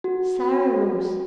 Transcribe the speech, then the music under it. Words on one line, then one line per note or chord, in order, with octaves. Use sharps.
Sarah rose.
F#4